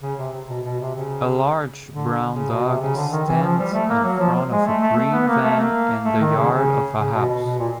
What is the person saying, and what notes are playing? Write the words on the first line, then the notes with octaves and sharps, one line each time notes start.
A large brown dog stands in front of a green van in the yard of a house.
C#3
C3
B2
B2
C3
C#3
D3
C#3
B2
C3
C#3
D3
D#3
E3
F3
G3
A3
A#3
F#3
F3
G#3
A3
A3
A3
B3
A#3
A3
A#3
A3
D#3
C#3
C#3
C#3
B2
B2
B2
A#2